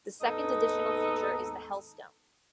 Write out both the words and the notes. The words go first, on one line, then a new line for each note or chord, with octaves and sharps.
The second additional feature is the Hellstone.
D#2 G#2 B3 D#4 A4 D#5